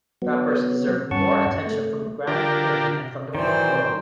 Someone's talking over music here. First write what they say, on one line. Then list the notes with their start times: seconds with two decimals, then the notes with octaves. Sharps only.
Rappers deserve more attention from the Grammy committee and from the whole world.
0.22 F#3 B3
1.11 G2 C#4 F#5 A5 C#6
1.67 A3
2.27 D3 D4 F4 G4 A#4
3.35 D#3 E3 F#3 C5 D5 G5